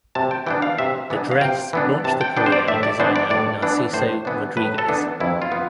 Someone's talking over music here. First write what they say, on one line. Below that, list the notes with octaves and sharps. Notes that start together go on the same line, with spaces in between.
The dress launched the career of designer Narciso Rodriguez.
C3 A5
G5
E3 B3 D4 G5
F5
C3 E5
E3 B3 D4
F5
C3 G5
E3 B3 D4
C3 A5
G5
E3 B3 D4 G5
C5
D5
A2 E5
D5
E3 B3 D4 C5
D5
A2 D5
E3 B3 D4
A2 C5
E3 B3 D4
A2 B4
A4
E3 B3 D4
F2 E4
F4
B3